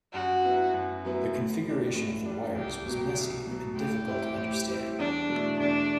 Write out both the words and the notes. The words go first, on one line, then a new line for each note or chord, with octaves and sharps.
The configuration of the wires was messy and difficult to understand.
F#2 F#4
F#3 B3 E4
F#2
F#3 B3 E4
A2
G3 D4
A2
G3 D4
C2 G4
B2 F#3
C2
B2 F#3
A2 G4
G3 C4 E4
A2
G3 C4 E4
E2 D4
B2 A3 E4
E2 D4